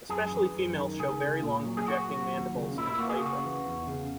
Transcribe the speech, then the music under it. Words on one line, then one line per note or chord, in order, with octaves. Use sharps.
Especially females show very long projecting mandibles and labrum.
F#2 G#4
E3
F#2
D#3
C#2 G#4
C#3
A#2
F#3
G#4
A#2 F#4
F#3
D#2
C#3
A#2 E4
E4
A#3 F#4
G#4
C#3 F#4
E3
E2
C#3